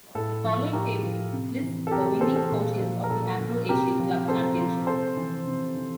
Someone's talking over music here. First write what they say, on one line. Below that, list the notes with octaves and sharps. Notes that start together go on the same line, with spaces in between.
The following table lists the winning coaches of the Afro-Asian Club Championship.
A2 A4
F3
A2 G4 A#4
F3
C3
E3
A4
C3 G4 A#4
A4
E3 A4 C5
A4
A#2
F3
A#4
A#2 A4
F3
C3 G4 A#4
F3
C3 A4 C5
F3
C3 A4 C5
E3
C3
E3